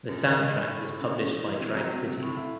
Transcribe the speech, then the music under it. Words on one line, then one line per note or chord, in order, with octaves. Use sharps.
The soundtrack was published by Drag City.
F#2
D#3
G#3
A2
A2
A2
C#3
C#3
E3
E3
C3
F#3
C3
C3
A2
E4